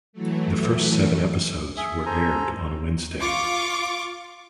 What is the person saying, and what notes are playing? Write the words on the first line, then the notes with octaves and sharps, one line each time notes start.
The first seven episodes were aired on a Wednesday.
E3 F#3 A3
G#4 E5
A4 C5 G#5 A#5
F4 C#6 D6